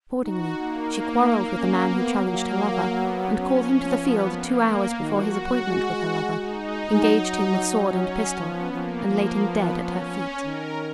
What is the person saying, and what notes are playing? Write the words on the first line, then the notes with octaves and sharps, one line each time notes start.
Accordingly she quarrelled with the man who challenged her lover, and called him to the field two hours before his appointment with her lover, engaged him with sword and pistol, and laid him dead at her feet.
D#4 F#4
A#3
C#4
B3
F#3 A#3
B3
C#4
F3 C#4
B3
A#3
D#3 F#4
F3
F#3
G#3
D#4
G#3
F#3
C#4
F3 B3
F3 A#3
F3 A#3
B3
C#4
D#3 A#4